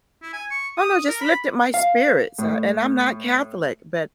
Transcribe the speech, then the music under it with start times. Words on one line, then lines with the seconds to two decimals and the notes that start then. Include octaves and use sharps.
I don't know, just lifted my spirits, uh, and I'm not Catholic, but
0.22 E4
0.33 G#5
0.51 C#6
0.77 D#6
1.08 A#4
1.21 B5
1.74 F5
2.39 A2